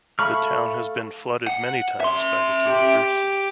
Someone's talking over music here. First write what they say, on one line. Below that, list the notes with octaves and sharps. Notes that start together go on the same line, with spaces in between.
The town has been flooded many times by the two rivers.
A3 F5 B5 C#6 F6
F#5
E5 C6
G4